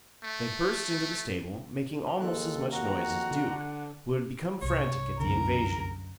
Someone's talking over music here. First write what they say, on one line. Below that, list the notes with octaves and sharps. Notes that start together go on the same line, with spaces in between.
They burst into the stable, making almost as much noise as Duke, who had become frantic at the invasion.
A3
D#2 G#3 A4 F#6
F2 F#4 F#5 A#5
D3
C2 G2 C#5
F#2 D3 A#4 A#5